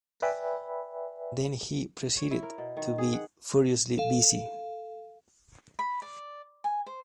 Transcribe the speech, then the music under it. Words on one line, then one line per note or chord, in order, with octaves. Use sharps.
Then he proceeded to be furiously busy.
B4 D5 E5 G5 G#5 B5
C#5
E4
A#4
B2
D#3
G#4
F#5
A4 F5
B5
D5
G#5
C5